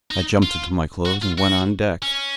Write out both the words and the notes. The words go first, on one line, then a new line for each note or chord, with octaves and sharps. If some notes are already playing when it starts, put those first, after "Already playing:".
I jumped into my clothes and went on deck.
D#4
F4
F#4
F4
F#4
C#4